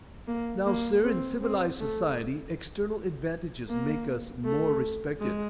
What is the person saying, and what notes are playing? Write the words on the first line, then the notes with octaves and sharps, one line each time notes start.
Now, Sir, in civilized society, external advantages make us more respected.
A#3
A#3
C4
C4
A3
A#3
A3
G#3